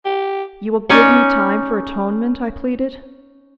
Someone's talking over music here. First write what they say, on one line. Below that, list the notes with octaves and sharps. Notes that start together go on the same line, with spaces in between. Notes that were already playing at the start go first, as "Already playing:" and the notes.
"You will give me time for atonement?" I pleaded.
G4
C#4 D#4 C#5 D5 G#5